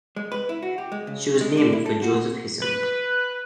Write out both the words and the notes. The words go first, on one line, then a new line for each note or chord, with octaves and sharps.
She was named for Joseph Hissem.
G#3
B4
E4
F#4
G4
G#3
C#3
G#3
D5
E4
A4
F#4
B4